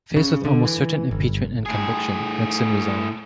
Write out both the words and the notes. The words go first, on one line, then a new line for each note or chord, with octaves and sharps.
Faced with almost certain impeachment and conviction, Nixon resigned.
C#3
D3
E3
G1
A2 G#4